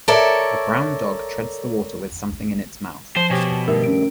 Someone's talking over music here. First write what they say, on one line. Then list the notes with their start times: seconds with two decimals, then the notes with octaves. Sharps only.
A brown dog treads the water with something in its mouth.
0.08 A4 A#4 C#5 D5 E5
3.16 F3 C5
3.30 B2 G4 C#5 G#5
3.68 G2 D#3 A3 A#4 E5
3.84 C#4 D7